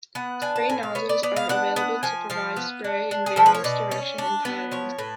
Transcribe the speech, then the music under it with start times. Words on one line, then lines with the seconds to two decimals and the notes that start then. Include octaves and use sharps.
Spray nozzles are available to provide spray in various directions and patterns.
0.15 B3 F#5
0.42 D4 G#5
0.56 A5
0.70 A2 G#5
0.83 F5
0.95 B3 C#5
1.09 D5
1.23 B3 D5
1.36 F5
1.49 D4 F#5
1.76 B3 F#5
2.03 F3 G#5
2.30 F3 F5
2.57 B3
2.84 D4
3.11 D4
3.26 G#4
3.36 F3 A4
3.46 B4
3.55 C#5
3.64 B2 D5
3.91 C#4
4.18 D4
4.45 B3
4.71 F3 C#5
4.99 A2 B4